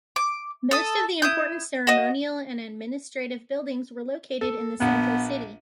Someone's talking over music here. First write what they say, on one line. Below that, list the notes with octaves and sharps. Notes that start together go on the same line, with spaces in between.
Most of the important ceremonial and administrative buildings were located in the central city.
D6
A4 D#6
E4 D#6 G6
F#4 D#5
A4
A#1 B3 F#5